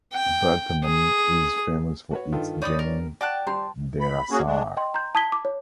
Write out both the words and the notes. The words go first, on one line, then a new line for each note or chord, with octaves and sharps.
Vataman is famous for its Jain "derasar".
G5
G#4
F#4 B4 C#5
G2 D#3 F4 A4
D#4 C#5 D5 B5 D#6 A6
A#4
F#4 D5 G5 A5 F#6
G3 C5 A#5 C6
B5
A#3 C#4 F#4 G#4
G#3 D4
D#5 G5 C6
A#5 C6 G6
A5 D#6 G#6 B6 G7
D6
C#5